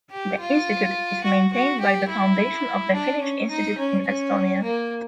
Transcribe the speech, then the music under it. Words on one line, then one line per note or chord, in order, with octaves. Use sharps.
The institute is maintained by the "Foundation of the Finnish Institute in Estonia".
G4
F4
F#4
F#4
G4
E4
D4
C#4
D#4
C#4
C#4
A#3